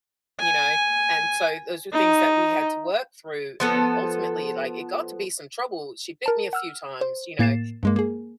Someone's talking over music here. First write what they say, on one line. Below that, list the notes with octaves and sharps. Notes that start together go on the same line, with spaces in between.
you know? And so those are things that we had to work through, and, ultimately, like, it got to be some trouble, she bit me a few times, you know,
G#5
D#4
F3 B3 A4
A#4 A5
F#5 E6 F6
C5
A2 A#3 A6 C7 E7
G2 G#3 A#3
A#3 G#4